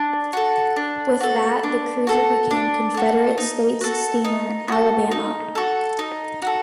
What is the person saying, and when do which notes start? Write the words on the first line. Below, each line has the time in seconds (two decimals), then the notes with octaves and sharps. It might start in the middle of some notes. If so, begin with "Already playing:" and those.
With that the cruiser became Confederate States Steamer "Alabama".
Already playing: D4
0.33 F#4 A4
0.76 D4
1.20 F#4 A4
1.63 D4
2.07 F#4 A4
2.51 D4
2.94 F#4 A4
3.38 D#4
3.81 F#4 A4
4.24 D#4
4.68 F#4 A4
5.11 D#4
5.55 F#4 A4
5.99 D#4
6.42 F#4 A4